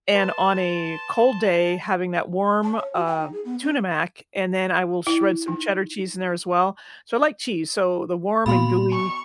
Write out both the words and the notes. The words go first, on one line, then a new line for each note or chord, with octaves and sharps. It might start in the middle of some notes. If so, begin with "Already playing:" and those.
and on a cold day, having that warm, uh, Tuna Mac, and then I will shred some Cheddar cheese in there as well. So, I like cheese, so the warm and gooey,
B4 A5 C6
A5
C#5
F#4
G5
D#4
G#4
B3
C#4
E4
D#4
A#2 B3 F#4 F5 B5 C6
C#6